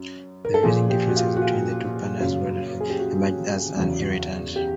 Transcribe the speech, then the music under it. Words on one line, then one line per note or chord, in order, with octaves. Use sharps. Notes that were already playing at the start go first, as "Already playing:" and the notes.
The rising differences between the two partners gradually emerged as an irritant.
Already playing: F#2
A#4
A4
A#2 F3 G#4
G4
F#4
F4
F#4
F4
F#2 C#3 F#3
G#4
G4
F#4
E2 C#3 F#3
G4